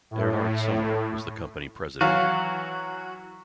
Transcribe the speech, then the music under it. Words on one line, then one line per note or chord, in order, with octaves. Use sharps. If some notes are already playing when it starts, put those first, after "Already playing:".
Erhard Sommer was the company president.
A2
E3 F#3 F#4 F5